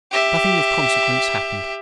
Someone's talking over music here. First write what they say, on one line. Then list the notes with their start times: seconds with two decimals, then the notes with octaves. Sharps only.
Nothing of consequence hapened.
0.11 G4 E5